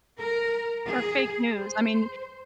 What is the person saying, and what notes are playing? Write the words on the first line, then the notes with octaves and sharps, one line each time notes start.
Or fake news, I mean,
A#4
G#4
C5